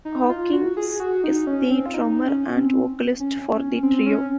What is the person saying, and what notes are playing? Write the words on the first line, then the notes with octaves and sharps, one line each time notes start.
Hawkins is the drummer and vocalist for the trio.
D#4
F4
F#4
G#4
F#4
D#4
C#4
C4
F4
D#4
C#4
C4
C#4
C#4
C4
C#4